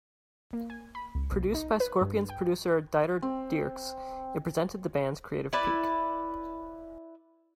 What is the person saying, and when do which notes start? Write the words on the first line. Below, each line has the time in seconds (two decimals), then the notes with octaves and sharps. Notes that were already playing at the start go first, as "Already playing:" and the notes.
Produced by Scorpions producer Dieter Dierks, it presented the band's creative peak.
0.53 A#3
0.70 G#5
0.95 B5
1.15 C#2
1.32 B1
1.55 D#4
1.80 B4
2.02 G2
2.30 G5
3.22 C4
5.53 E4 B4 D5